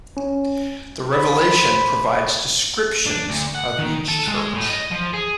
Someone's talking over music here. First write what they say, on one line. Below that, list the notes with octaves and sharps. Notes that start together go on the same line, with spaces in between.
The Revelation provides descriptions of each Church.
C#4
C5 B5
D4
D2
F#5
D#3
A4
G#3
A2
D#5
F3
G#4